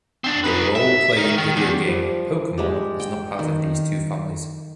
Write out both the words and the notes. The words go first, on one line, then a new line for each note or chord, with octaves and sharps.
The role-playing video game, Pokémon, is not part of these two families.
C4 D4
D#4 B4
E5
D#4 A#4
D#3
E2
F3 G3
G#3 D4 G4
G5
D#3